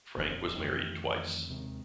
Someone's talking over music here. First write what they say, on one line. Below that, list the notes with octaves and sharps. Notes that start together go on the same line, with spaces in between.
Frank was married twice.
D#1 F2 D#3
F2 D#3 E3 A3
D#2 C3 D#3 G#3